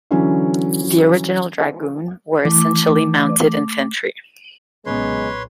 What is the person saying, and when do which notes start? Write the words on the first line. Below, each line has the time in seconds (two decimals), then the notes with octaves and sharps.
The original dragoons were essentially mounted infantry.
0.11 D3 E3 F#3 C#4
2.45 E3 A3 D6
4.86 B1 A#2 C#3 G#3 B3 B4 C#5 C6